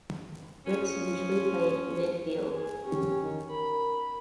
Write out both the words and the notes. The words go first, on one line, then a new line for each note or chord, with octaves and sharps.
Rix usually played midfield.
F3 C#4
G#4
C#4 G4
D#3
A#4 B5